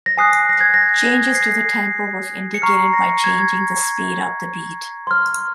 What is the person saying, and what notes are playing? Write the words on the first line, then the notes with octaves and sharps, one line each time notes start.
Changes to the tempo are indicated by changing the speed of the beat.
A#6
G#5 D#6 F#6 C7
A#6
G#6
A#6
C7
A#6
C#7
A#5 C#6 F6 C7
A#6
G#6
G#6
C6 F6